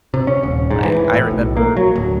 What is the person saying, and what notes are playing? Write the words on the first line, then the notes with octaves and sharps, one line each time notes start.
like, I remember
C3
C#4
D#1
G#2
E3
A2
B1
A#3
F#3
D1